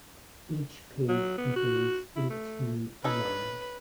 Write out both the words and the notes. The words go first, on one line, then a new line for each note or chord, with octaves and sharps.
Each page contains eighteen lines.
F#3
B3
F#4
E4
A3
C#4 D#4 A4 B4